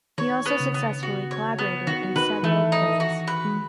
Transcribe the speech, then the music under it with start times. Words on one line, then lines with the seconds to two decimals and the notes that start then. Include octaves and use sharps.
He also successfully collaborated in several plays.
0.18 D#3 C#5
0.46 B3
0.60 C#3
0.74 B3
1.03 F#4
1.31 C#5
1.59 B3
1.87 D#3 F#4
2.16 D#3 B4
2.43 E3 A3
2.72 D#4
3.00 F#4
3.27 B4
3.45 G#3